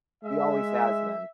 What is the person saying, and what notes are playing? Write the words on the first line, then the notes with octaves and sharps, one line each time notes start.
He always has been.
G#3 E5